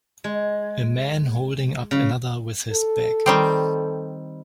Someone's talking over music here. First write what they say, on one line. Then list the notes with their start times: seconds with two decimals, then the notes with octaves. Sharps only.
A man holding up another with his back.
0.24 G#3
1.91 C#3
2.71 A4
3.26 D#3 G3 C4